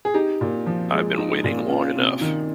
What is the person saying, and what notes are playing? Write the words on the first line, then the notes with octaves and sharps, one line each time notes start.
I've been waiting long enough.
G#4
D#4 G4
A#2
F3
G#3
D#4
A#2
C#4 F4
C3
D#3